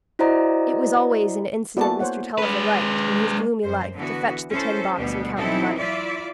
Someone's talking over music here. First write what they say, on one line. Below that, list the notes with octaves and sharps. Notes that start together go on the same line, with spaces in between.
It was always an incident Mr. Tulliver liked, in his gloomy life, to fetch the tin box and count the money.
E4 F#4 C5 D5 D#5 A#5
E3 A#3 B3 E4 F#4 A4 D5 A5
C5 C#5 F#5
G#3 B4
F#2 C5
D3 E3 B3 F#4
C#4 E4 A4 C5
D2 B2 G3 B3
E3 F#3 C4 D#4 E4 A4
E4 F4 D5 E5